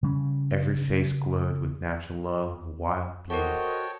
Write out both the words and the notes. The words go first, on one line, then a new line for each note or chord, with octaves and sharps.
Every face glowed with natural love of wild beauty.
C#3 G3 A#3 C#4
F#4 A4 A#4 C5 C#5 D#5 G5 A5